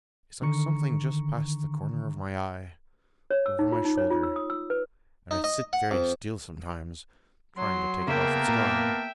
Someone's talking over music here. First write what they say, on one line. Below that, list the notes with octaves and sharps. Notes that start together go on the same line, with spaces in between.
It's like something just past the corner of my eye, over my shoulder, and I sit very still sometimes, trying to take it off its guard.
D3 D#3 A#5 C#6 C#7
C#5
E6
D#4
F4
D#4
C#5
F4
E6
D#6
E6
B4
D#4
D#5
F#5
F2
F#3 C6
C#3 A#3 B3 A#4 E5 G5 A5
A#2